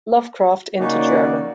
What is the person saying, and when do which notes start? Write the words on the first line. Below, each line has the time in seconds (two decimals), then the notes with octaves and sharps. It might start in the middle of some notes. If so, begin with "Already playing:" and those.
Lovecraft into German.
0.78 C#3 A#3 C#4 D#4 F#4 D5